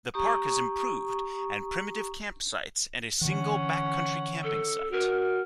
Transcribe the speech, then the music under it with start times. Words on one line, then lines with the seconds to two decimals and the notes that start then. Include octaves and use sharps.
The park has improved and primitive campsites and a single backcountry camping site.
0.14 G4 A#5 C#6 D#6
3.21 D3 E3 C#4 F#5
4.44 A4
4.92 F#4 A#4